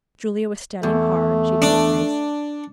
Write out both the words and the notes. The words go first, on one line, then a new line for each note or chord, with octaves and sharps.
Julia was studying hard, she told Grace.
E2 A3
D4